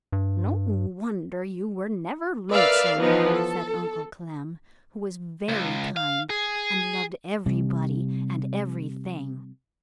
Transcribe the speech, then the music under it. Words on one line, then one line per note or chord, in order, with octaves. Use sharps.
"No wonder you were never lonesome!" said Uncle Clem, who was very kind and loved everybody and everything.
G2
A#4 B4 D5 E5 F5
E3 F3 B3 D#4
A4
C#2
F5
G#4
C3 G3